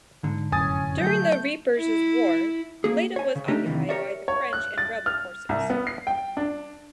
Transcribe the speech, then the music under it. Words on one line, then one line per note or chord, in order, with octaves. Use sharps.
During the Reapers' War, Lleida was occupied by the French and rebel forces.
G#2 D3
F1 F#2 A2 C#4 G#5 D#6 A6
F#3 A3 G6
E4
A#3 G#4
C#5 G#5
C#3
A3 D4 D#4 G4 A#4
F2 C3 D#3 E3
G4 A#4 C#5 D5 E5
C#5
F#6
A6
F6
C2
B3
C7
G5
D4